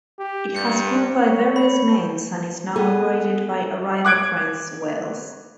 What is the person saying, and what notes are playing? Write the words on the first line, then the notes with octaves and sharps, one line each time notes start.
It has gone by various names and is now operated by Arriva Trains Wales.
G4
G2 G6 C#7
C#5
B5
B3 G#4 A4
D6 F#6 G#6 D7